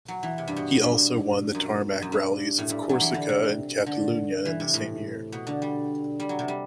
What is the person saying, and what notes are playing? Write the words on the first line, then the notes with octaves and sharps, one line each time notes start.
He also won the tarmac rallies of Corsica and Catalunya in the same year.
F#3
E3
C3
G2
B2
G2
F#2
F#2
G2
A2
G2
F#3
E3
D3
C3
D3
E3
C3
A2
B2
D3
G3
G3
F#3
C3
G3